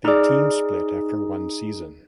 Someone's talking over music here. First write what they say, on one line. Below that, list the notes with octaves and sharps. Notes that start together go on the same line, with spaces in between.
They team split after one season.
D#4 G#4 D5 E6 F6